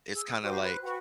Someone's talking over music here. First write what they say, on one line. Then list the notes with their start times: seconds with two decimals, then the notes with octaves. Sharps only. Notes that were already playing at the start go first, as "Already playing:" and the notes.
it's kinda, like
0.14 G#4 E6
0.43 F#4 G4 C5 C6
0.62 B4 C5 F#6
0.84 F#4 B4 G5 C#6